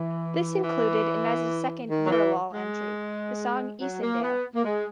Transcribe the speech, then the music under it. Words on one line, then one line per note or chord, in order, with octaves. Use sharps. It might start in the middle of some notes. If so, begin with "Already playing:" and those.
This included Ines' second "Eurolaul" entry, the song "Iseendale".
Already playing: E3
E3
D#3
F#3
E3
G#3
F#3
A#3
B3
A#3
G#3